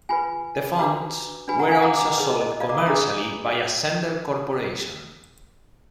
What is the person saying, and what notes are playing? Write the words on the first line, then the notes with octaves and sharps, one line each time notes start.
The fonts were also sold commercially by Ascender Corporation.
F4 B4 G#5 B5
D4 F#4 B4 A#5 D6
D4 F#4 B4 G#5 B5
F#5 A#5
F5 G#5
F#5 A#5
A#5 D6
A#5 D6
D#4 G#4 B4
D#5
D#5
D#5
D5 F5
A#5 D6
B5 D#6
D4 G#4 B4 A#5 D6